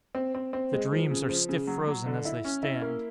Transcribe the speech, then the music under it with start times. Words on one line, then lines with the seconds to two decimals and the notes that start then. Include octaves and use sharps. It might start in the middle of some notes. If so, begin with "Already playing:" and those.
The dreams are stiff-frozen as they stand.
0.15 C4
0.35 C4
0.53 C4
0.73 G#3
0.92 F3
1.10 C#3
1.29 F3
1.49 C#3
1.67 F#3
1.87 F#3
2.06 D3
2.25 E4
2.45 C#4
2.63 E4
2.82 A#3